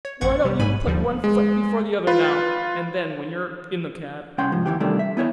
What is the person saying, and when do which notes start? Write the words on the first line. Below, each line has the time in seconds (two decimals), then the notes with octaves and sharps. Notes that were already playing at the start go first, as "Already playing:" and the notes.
Why don't you put one foot before the other now and then when you're in the cab?
0.05 C#5
0.21 A1 F#2 F#5 C#6 G#6
0.44 C3 G3 G4
0.59 B1 G#2 G#5 B5
0.87 D#2 D3 F3 G3
1.24 G#3
2.07 F4 B4
4.38 C2 C#4 F#5 G5 C6
4.52 G#2 C3 F3
4.66 D#2 E3 G4
4.80 C3 D#3 G3 A3 D4
4.99 E5
5.17 B3 E4 C#5 E5